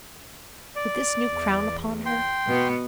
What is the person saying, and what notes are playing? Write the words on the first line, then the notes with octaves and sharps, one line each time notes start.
With this new crown upon her!
D5
E2
G5 C6
B2 B3